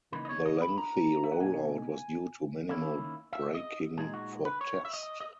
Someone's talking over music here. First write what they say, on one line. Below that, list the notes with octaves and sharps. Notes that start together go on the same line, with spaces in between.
The lengthy rollout was due to minimal braking for test.
C#3 E3 A#3 D#4 B4
D#5
C#5
D#5
B5
A#5
E5
F#5
B2 A#3 D#4 G#5
D#3 A#3 C#4 E4
E5
D#5
A#2 G#3 D#4 G#4
F#4
B4
C#5
E5
D#5
D#5